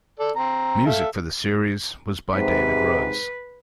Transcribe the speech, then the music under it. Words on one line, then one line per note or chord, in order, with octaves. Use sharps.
Music for the series was by David Rose.
A4 D5
C4 A#5
A4 E5 F5
G#2 C3 B4